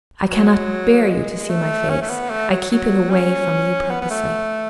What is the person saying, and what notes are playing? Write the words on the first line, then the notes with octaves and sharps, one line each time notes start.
I cannot bear you to see my face; I keep it away from you purposely.
F#3
G#3
A3
C#4
A3
B3
A3
F#3
F#3
C#4
B3
B3
A3